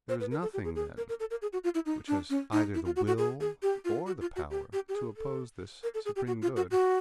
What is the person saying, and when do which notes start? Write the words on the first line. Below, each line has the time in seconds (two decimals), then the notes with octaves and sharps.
'There is nothing, then, which has either the will or the power to oppose this supreme good.'
0.09 C5
0.21 B4
0.31 A#4
0.42 A4
0.54 G4
0.65 G#4
0.76 G#4
0.97 A#4
1.09 A#4
1.20 A4
1.31 A#4
1.42 G#4
1.53 F#4
1.64 F4
1.75 E4
1.86 D#4
2.08 D4
2.30 C#4
2.52 D#4
2.74 E4
2.85 F4
2.96 F#4
3.07 F#4
3.18 G#4
3.41 G#4
3.62 G4
3.85 F4
4.06 F#4
4.21 F4
4.36 F#4
4.51 G4
4.73 G4
4.89 G4
4.95 G#4
5.17 A4
5.83 A#4
5.94 A4
6.05 G#4
6.16 G4
6.27 F#4
6.42 F4
6.57 F#4
6.71 F#4